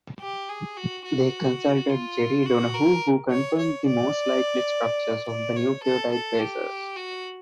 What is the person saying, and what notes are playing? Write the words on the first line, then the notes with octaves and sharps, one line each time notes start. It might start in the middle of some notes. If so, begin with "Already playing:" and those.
They consulted Jerry Donohue who confirmed the most likely structures of the nucleotide bases.
G4
G#4
F#4
F#4
F4
F#4
A#4
C#5
C#5
D5
D5
C#5
A4
A4
G4
F#4